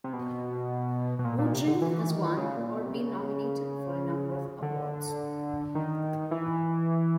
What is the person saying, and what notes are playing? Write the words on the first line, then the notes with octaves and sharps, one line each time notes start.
Woodring has won or been nominated for a number of awards.
C3
B2
B2
A#2
A#2
C3
D3
E3
D#3
C#3
A#2
B2
C3
C#3
D3
D#3
E3